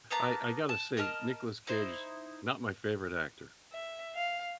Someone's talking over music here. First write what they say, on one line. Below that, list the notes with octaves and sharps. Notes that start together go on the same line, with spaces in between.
I I gotta say Nicolas Cage is not my favorite actor.
A#3 B3 A5 A#5
A5
A#4 D#5 A5 F6
D#4 E4 C5
E5
F5